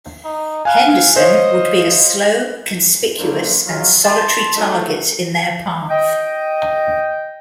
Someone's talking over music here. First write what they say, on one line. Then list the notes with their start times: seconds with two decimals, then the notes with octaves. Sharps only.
"Henderson" would be a slow, conspicuous, and solitary target in their path.
0.25 D#4
0.65 F5 G#5 F#6
1.16 C5 C#5 D#5 F5
3.18 F#2 F#3 A#3 D4 E4 C5
3.66 F#3 G#3 F4
4.04 A5 C6
4.56 F#3 G#3 A3 D#4 F#4
5.89 D#5 G5